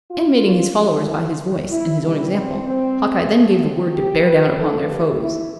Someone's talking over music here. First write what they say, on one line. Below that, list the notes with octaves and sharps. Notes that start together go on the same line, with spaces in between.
Animating his followers by his voice, and his own example, Hawkeye then gave the word to bear down upon their foes.
F4
G2 D3 F3 G4
E4
E4
B2 G3 E4
C4
C4
D2 D3 A3
C4
G4
B4
F2 D3 F3 A3 A4
G4
E4